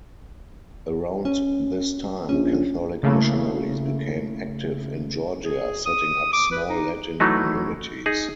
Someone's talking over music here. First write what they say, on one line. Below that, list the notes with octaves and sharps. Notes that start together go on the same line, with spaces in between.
Around this time, Catholic missionaries became active in Georgia, setting up small Latin communities.
C#4
A#1 C#4
C#3 A3 A#3 E4
G#4
D#6
D6
B4
D#4
E3 F#3 A3 D#4
D#4 G#4